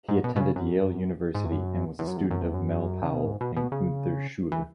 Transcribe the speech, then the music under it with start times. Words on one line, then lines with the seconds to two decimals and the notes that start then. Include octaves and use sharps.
He attended Yale University and was a student of Mel Powell and Gunther Schuller.
0.08 G#2
0.24 B2
0.36 B2
0.41 C#3
0.56 F#2
1.35 G#2
1.45 E2
1.52 F#2
1.99 E2
2.08 F#2
2.17 E2
2.31 F#2
2.42 E2
2.54 F#2
3.03 C#3
3.13 B2
3.25 G#2
3.41 B2
3.56 B2
3.72 C#3
4.52 E3